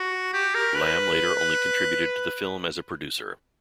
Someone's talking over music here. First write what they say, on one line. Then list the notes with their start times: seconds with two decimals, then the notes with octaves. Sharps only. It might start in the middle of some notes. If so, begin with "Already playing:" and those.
Lam later only contributed to the film as a producer.
Already playing: F#4
0.33 G4
0.55 A#4
0.75 B4